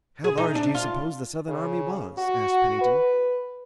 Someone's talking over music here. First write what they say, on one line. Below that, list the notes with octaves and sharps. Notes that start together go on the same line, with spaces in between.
"How large do you suppose the Southern army was?" asked Pennington.
G#4
D#4
D4
F4
C#3
F#4
B4